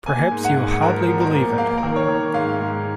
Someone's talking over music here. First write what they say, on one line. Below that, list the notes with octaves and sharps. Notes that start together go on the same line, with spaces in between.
Perhaps you will hardly believe it.
A#3 G#5
G#2
F#5
G#2
F3 A#4
F3
A#4
A#3
A#3 F5
A#4
D#3
C#5
D#3
G#2 F5
G#2